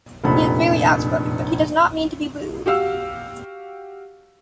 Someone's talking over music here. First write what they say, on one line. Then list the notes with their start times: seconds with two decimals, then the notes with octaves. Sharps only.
He is very outspoken; but he does not mean to be rude.
0.24 F1 A#1 B5
2.66 F#4 G4 F5 E6